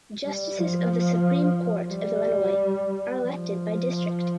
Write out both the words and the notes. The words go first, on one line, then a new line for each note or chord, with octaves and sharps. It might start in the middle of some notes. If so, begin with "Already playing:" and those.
Justices of the Supreme Court of Illinois are elected by district.
G3
F3
G3
F3